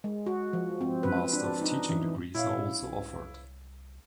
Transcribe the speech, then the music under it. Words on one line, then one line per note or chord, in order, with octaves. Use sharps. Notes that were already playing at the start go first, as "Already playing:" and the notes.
Master of Teaching degrees are also offered.
G#3
F#4
F3
C4
B4
D4
D#4
E3
A#2 E4 C#5 F5
C2